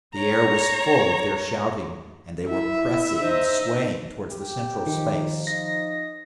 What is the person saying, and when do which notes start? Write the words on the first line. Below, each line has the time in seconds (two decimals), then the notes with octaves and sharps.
The air was full of their shouting, and they were pressing and swaying towards the central space.
0.15 C#5 A#5
2.48 E4 E5
3.21 D#4 C5
4.30 G4
4.86 D#3 F3 D#4
5.47 D#5 A#6